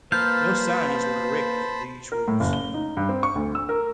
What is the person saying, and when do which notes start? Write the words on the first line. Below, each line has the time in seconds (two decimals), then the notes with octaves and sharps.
No signs were erected for these routes.
0.12 A#3 F4 B4 C5 F5 A5 B5 G6
2.12 A#4
2.28 A2
2.40 F#1
2.53 G7
2.74 D#4
2.97 G2
3.09 C4
3.23 C#6
3.35 D2
3.55 E6
3.69 A#4